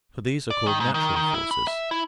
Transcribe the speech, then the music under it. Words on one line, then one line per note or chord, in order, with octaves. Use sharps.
For these are called "natural" forces.
D5
D#3
G#2
D#3
D#3
E4
B5
E5
E4